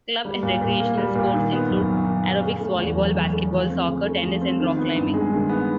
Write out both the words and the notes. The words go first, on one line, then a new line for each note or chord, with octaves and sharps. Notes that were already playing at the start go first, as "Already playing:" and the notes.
Club and recreational sports include aerobics, volleyball, basketball, soccer, tennis and rock climbing.
G3
A#2
A#2
A#3
G3
A#2
D#3
B3
F#2
F#3
D#3
B3
C#3
A3
E2
F#3
C#3
A3
F3
C4
C#3
A3
F3
C4
D#3
B3
G2
G#3
D#3
B3